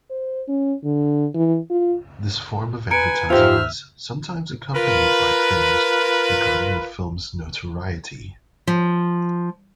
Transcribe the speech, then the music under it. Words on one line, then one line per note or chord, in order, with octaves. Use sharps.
This form of advertising was sometimes accompanied by claims regarding the film's notoriety.
C5
C#4
D3
E3
F4
B4 G#5 A#5 C#7 D7
G#2 F4 G4 C5 E5 F6
F4 A#4 B4
F3